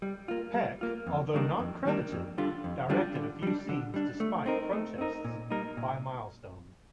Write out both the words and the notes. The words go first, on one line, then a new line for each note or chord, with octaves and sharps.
Peck, although not credited, directed a few scenes despite protests by Milestone.
G3
A#3 F4
G3
A#3 F4
F2
D#3 G3 A#3 D4
F2
D#3 G3 A#3 D4
F2
D3 G3 D4 F4
F2
D3 G3 D4 F4
D3
G3 D4
D3
G3 D4
A3
C4 D#4 A#4
A3
C4 D#4 A#4
A#2
G3 A#3 D#4 A#4
A#2